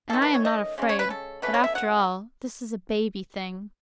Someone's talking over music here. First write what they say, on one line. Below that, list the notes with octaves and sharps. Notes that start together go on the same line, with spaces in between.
And I am not afraid. But after all, this is a baby thing!
D#3 A3 C#4 A4
B4
C#5
D#5
C#3 G#3 C#4
C#5
B4
A4
B2 A3 C#4 B4
C#5
E5
F#5